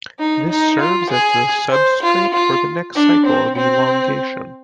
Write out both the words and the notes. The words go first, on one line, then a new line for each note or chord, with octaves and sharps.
This serves as the substrate for the next cycle of elongation.
D#4
D#4
F4
G#4
C5
F4
F4
D4
C4
C4